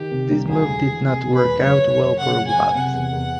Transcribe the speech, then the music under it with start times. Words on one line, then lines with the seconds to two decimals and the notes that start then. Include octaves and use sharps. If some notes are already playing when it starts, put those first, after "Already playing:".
This move did not work out well for Wallace.
Already playing: D#3 G4
0.12 C3
0.31 C2
0.49 D2 G#4
0.68 E1
0.88 E3
1.06 C3 G#4
1.25 D2
1.34 B4
1.44 E1
1.63 F#2 C#5
1.82 F#1
2.01 F#1
2.19 C#3 F#5
2.38 F#2
2.47 G#5
2.57 F#1
2.75 C3 F#5
2.94 E2
3.13 E2